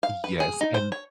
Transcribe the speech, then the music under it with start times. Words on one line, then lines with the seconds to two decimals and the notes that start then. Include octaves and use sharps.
Yes. And
0.03 F5
0.24 B4
0.40 G#4
0.61 D#4
0.74 C5
0.92 C#5